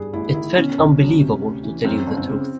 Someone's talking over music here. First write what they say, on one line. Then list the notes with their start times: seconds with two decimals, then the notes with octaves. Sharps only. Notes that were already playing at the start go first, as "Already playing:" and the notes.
It felt unbelievable, to tell you the truth.
Already playing: G2 G#4
0.13 A1 E4
0.34 D#3 E4
0.56 B2 C#4
0.78 B1
0.99 F#3
1.21 C3
1.42 D2
1.64 E3
1.84 F#2 C4
2.07 G1
2.17 C4
2.29 C#3